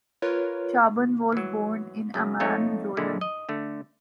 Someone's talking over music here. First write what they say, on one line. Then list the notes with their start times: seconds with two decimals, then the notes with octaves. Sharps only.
Shaban was born in Amman, Jordan.
0.22 F4 A#4 B4 C#5
1.32 E3 F#3
2.14 F#2 C#3
2.40 F2 A3 D#4 C#5
2.97 A#2 D3 G#3 E4
3.21 D#5
3.49 D3 A3